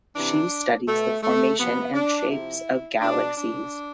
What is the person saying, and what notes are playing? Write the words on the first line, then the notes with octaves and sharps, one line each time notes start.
She studies the formation and shapes of galaxies.
C3 E3 D4
B2 A3
A3
C3 F3 B3
D4
C3 F3 E4
B2 D4
D4